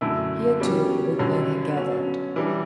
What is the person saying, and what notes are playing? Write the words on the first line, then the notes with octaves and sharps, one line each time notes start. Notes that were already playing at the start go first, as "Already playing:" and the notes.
Here, too, old men had gathered.
F#2 D3 A3 E4
B2 G3 C#4 G4
G2 D3 F#3 C#4
B2 F#3 C#4
E3 G3 D4